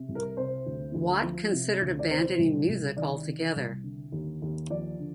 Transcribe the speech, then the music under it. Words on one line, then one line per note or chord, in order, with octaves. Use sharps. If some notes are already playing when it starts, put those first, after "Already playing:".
Watt considered abandoning music altogether.
Already playing: C3
C2
A#4
C3 C5
D2
D2
F3
C3
D2
D5
C3 C5
C2
C2
D#3 D5
C3
C2
D3
D#2
D#2
F3 D5
D3